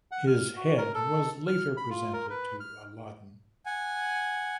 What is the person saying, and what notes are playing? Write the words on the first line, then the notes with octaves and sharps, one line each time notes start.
His head was later presented to Alauddin.
F#5
F6
F#4
A#4
A4
F6
B5
F4
A#4
B4
F6
F#5 G#5